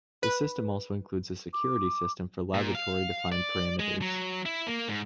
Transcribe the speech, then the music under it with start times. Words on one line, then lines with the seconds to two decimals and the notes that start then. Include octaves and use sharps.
The system also includes a security system for laboratory-defined parameters.
0.23 B4
1.53 D6
2.54 A#2
2.75 F5
3.32 D5
3.80 G#3
4.01 F#3
4.46 E4
4.67 A#3
4.88 G#2